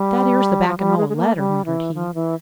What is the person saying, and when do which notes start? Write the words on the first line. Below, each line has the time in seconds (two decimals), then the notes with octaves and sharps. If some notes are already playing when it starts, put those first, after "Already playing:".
"That ere's the backin' o' a letter," muttered he.
Already playing: G3
0.68 F3
0.78 G3
0.97 G#3
1.09 G#3
1.17 A#3
1.36 G3
1.65 E3
1.94 F3
2.14 E3